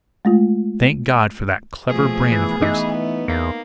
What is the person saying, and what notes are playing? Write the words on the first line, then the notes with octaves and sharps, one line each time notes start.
Thank God for that clever brain of hers!
G#3 A3 F4
B2 F3 A3 G#4
E3 A3 B3
E3 D#4
E2 A#3